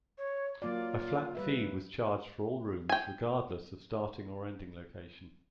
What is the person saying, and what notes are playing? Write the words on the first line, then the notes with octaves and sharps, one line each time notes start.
A flat fee was charged for all rooms, regardless of starting or ending location.
C#5
F#3 A#3 F4 D5
G3 B4 E5
G5 G#5